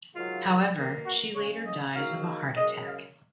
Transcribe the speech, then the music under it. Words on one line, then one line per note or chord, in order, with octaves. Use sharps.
However, she later dies of a heart attack.
G#2 D#3 F#3 F4
B2 A#3
F#4
C#3 G#3 C#5
D#5
G#2 D#3 F#3 A#3 F5
F#2 C#3 G#3 D#5
F5